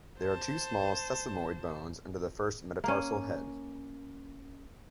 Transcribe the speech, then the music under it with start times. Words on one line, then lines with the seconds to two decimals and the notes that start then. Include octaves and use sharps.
There are two small sesamoid bones under the first metatarsal head.
0.18 C5 A5
2.84 A#3 C#4